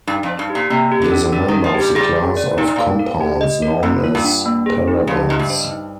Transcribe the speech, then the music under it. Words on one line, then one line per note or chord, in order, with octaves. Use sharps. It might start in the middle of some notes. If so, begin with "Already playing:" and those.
It is a member of the class of compounds known as parabens.
G2 D#4
F2
C5
G2
G4
A#2
C3 A#3
G4
D3
D4
D3 D4
D#3
A#4
F3
G4
G3
G3 G#4
G5
D5
A#2 D#4
G#2
A#2 F5
A#4
G4
D#5
A#4
G#2 A#3
F4
G2
D4
A#3
G#4
D#4
F2 G4
G#2 D#5
G2
C5
D#4